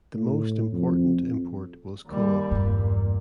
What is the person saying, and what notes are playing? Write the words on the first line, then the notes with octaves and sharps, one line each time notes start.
The most important import was coal.
A2
F2
D#2 G3
E2 G2 A#2